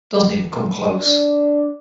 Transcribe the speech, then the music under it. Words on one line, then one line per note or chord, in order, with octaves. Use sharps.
Doesn't even come close...
D4